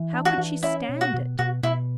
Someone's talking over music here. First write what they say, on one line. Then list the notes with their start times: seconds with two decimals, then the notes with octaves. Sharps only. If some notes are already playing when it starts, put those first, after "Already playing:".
How could she stand it?
Already playing: E3
0.13 D4
0.25 F#4
0.38 E3
0.63 C#4 E4
0.89 B2
1.01 F#4
1.14 B2
1.39 B2 F#4
1.63 B2 E4